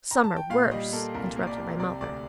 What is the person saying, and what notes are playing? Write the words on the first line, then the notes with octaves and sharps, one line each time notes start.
'Some are worse,' interrupted my mother.
A#5
A5
G5
A#2 F5
G3 D#5
A#3 A4
C2 A#4
A#3
D5
C2
C3 D5
D2 D5